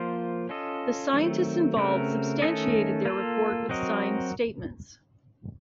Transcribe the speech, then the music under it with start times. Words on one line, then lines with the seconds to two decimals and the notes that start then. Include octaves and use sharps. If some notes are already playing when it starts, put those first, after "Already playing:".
The scientists involved substantiated the report with signed statements.
Already playing: F3 A#3 F4 C5
0.49 C#4 F4 A4 D#5
1.13 D#3 F#3 A3 C4
1.77 C#3 A3 C4 F#4 A#4
2.42 D#3 A3 C#4 A4 D#5
3.05 A#3 F4 A4
3.69 F#3 C4 F#4 A#4 D#5